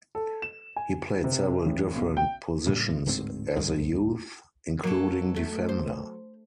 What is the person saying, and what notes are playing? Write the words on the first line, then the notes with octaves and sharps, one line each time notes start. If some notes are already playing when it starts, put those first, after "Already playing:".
He played several different positions as a youth, including defender.
A4
E7
G#5
C3
A1
B1
G5
A2 C#3 G3 A#3
D1 D2 G#2 C4
C#2 G2 D3 D#3
F#3 A#3 A4
A3
C5